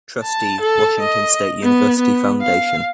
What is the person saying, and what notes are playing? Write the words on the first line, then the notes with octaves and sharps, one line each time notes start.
Trustee, Washington State University Foundation.
A5
A4
D#5
B3
B3
F5